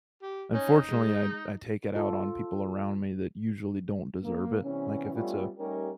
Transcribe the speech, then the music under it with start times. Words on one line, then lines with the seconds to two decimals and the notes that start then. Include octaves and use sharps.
unfortunately, I I take it out on people around me that usually don't deserve it. Like, if it's a
0.22 G4
0.54 C#4 D#4
0.90 G#3
1.95 F4 A4
4.24 A#3
4.64 C3 E3 G3 B3 C#4
5.14 G3 A3 B3 C#4 D4 F4
5.58 G3 A3 C#4 D#4 G4 A#4